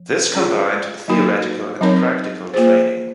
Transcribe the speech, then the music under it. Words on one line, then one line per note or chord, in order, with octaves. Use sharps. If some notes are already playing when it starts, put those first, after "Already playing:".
This combined theoretical and practical training.
Already playing: F3
C#4 F4 G#4
F#3 A#3 D#4 F#4 A#4
F#3 C4 D#4 A#4 C#5
A#3 F4 G#4 C5